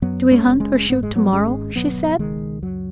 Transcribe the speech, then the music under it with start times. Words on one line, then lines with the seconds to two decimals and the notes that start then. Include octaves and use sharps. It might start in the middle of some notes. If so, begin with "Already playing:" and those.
"Do we hunt or shoot to-morrow?" she said.
0.02 F#2 F#3 B3
0.31 G#3 C#4
0.46 F#1
0.60 G#3 C#4
0.89 G#2 B3
1.03 G#3
1.16 F#3 B3
1.32 G#1 G#3 C#4
1.76 B2 F#3 B3
2.19 C#2 D#3 G#3
2.63 F#2 F#3